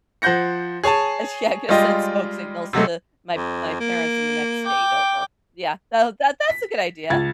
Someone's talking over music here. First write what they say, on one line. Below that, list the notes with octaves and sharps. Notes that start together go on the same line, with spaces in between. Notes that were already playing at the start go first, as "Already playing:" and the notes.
Eh sh yeah, coulda sent smoke signals to my my parents in the next state over. Yeah, that w that that's a good idea.
F3 C5 F#5 G6 A#6 C#7
G#4 C#5 G#5 A5
G3 G#3 F4 D#5 G5
C3 F#3 G#3 A3
F2
A#3
G5 D6
B6
C#2 G#6 A6